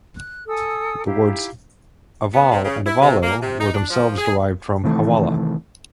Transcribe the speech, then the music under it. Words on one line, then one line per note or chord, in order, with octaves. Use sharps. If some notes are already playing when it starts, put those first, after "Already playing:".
The words "aval" and "avallo" were themselves derived from "hawala".
F#6
A4 G#5 D#6 E6
D#4 E4 G4 F5
B3
C3
C#3
E4
C3
A#3
C3
D#4
D4
F3
G#4
C3 D#3 E3 A3